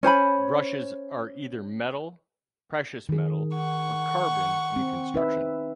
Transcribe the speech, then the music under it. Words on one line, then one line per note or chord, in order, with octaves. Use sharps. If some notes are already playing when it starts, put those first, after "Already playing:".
Brushes are either metal, precious metal or carbon in construction.
C#4 C5 G#5 B5
D#3 G#4
F#5 C#6
C4
D#4 B4 E5